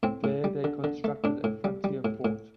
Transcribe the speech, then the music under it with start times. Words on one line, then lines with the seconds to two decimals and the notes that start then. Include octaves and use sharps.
There, they constructed a frontier fort.
0.03 A2 C4
0.24 A2
0.44 G3
0.64 D3
0.84 D3
1.04 A3
1.24 A2 D4
1.44 A2
1.64 G3
1.84 G3
2.05 A2
2.25 A2